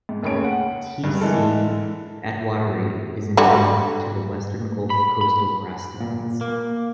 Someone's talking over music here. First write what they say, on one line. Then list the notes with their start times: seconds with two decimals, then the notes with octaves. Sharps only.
"T. c. attwateri" is endemic to the Western Gulf coastal grasslands.
0.09 G#2
0.23 F1 D#2 A2 C#3 C#5 D7
0.44 F#5
1.04 E1 G2
1.21 D3 E3 G#3 E4 A4 A#4
3.37 D3 G3 F#4
4.90 B5
5.21 B5
6.00 A#2
6.41 A#3